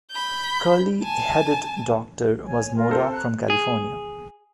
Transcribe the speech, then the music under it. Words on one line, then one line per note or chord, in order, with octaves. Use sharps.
Curley Headed Doctor was Modoc from California.
B5 G6
G#5 A5
C#5 G#5
F4 A#4
C4 A4 C5
A#5 F#6
G#4